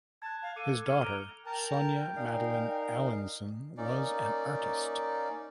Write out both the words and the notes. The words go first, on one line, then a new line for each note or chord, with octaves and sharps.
His daughter Sonya Madeleine Allinson was an artist.
A5 F#6 G#6
F5
A4 D6 C#7 D#7
F6 G#6 E7
A#5 D7
A#4 G5 A5 A#5
D#4 A#4 D5 F5 G#5
A#3 C#4 D#4 D5